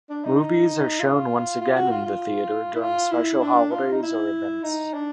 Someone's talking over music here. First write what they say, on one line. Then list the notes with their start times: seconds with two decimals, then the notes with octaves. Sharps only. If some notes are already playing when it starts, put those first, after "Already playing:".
Movies are shown once again in the theatre during special holidays or events.
0.10 D4
0.24 D#4
1.00 F4
1.61 F4
1.76 F#4
1.91 F4
2.06 F4
2.75 E4
2.81 F4
3.11 E4
3.41 D4
3.72 F4
3.92 D#4
4.03 E4
4.63 D#4
4.94 D4